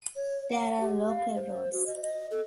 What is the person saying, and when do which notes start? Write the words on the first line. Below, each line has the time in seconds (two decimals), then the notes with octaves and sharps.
There are local roads.
0.16 C#5
0.51 F#5
0.80 G4
1.08 F5
1.35 C5
1.73 F#4
1.86 D#5
2.02 D#5
2.31 A4